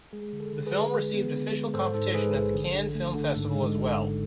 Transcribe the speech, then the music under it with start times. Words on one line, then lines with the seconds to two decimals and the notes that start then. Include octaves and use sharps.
The film received official competition at the Cannes Film Festival as well.
0.13 G#3 G#4
0.33 D3
0.40 A4
0.53 D3
0.66 G#4 B4
0.74 D3
0.93 G#3
1.14 B3
1.34 D3
1.54 G#3
1.74 G#2 A4 C5
1.94 G#2 A4
2.14 G#3 G#4 B4
2.34 A1
2.55 D3
2.74 D3
2.95 A3
3.15 D3
3.35 G#2 A4
3.55 G#3
3.75 G#1
3.96 G#2